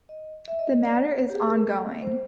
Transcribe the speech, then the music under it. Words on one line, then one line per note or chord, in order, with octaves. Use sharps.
The matter is ongoing.
D#5
E5
D#5
D5
C#5
G4
G#4
A#4
A4
C5